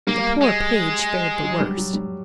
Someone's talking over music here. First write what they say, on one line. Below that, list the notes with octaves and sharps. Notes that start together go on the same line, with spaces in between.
The poor page fared the worst.
G3 A#3
G#3
F#3
G3
F#3
G3